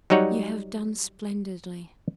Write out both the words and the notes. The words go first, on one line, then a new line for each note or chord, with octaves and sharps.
"You have done splendidly."
F#3 G3 D#4 C#5 F#5